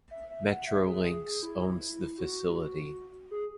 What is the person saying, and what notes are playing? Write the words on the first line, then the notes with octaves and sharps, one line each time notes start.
Metrolinx owns the facility.
E5
E5
F#5
E5
G#4
G#4
G#4
E4
F#4
G#4